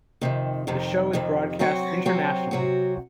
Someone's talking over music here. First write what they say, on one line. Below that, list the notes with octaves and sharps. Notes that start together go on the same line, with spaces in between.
The show is broadcast internationally.
F2 C3 D#3
F2 C3 D#3
F2 C3 D#3
C3 F#3 C4 F#4
C3 F#3 C4 F#4
C3 F#3 C4 F#4